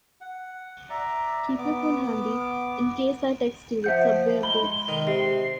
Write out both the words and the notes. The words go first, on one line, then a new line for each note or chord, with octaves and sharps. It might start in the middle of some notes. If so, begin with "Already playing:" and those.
Keep your phone handy in case I text you with subway updates.
F#5
D5 E5 A#5
B3 D6
F3 E5 F#5 G6
G#3 B5 G7
D#3
C3 C7